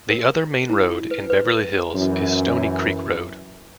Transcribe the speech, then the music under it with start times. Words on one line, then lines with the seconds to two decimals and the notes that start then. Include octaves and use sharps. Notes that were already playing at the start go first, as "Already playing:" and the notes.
The other main road in Beverly Hills is Stoney Creek Road.
0.10 A#4
0.70 E4
1.11 B4
1.30 B4
1.94 F#2 E3